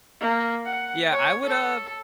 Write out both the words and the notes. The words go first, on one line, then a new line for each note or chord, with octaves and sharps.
Yeah, I would, uh,
A#3
F#5
C#5
A4